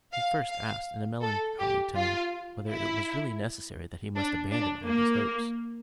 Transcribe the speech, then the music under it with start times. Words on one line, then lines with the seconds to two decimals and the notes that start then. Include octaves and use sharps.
He first asked, in a melancholy tone, whether it was really necessary that he must abandon all his hopes.
0.12 F5
0.49 F5
1.23 A4
1.59 G4
1.96 F4
2.69 E4
4.16 D4
4.51 D4
4.89 A#3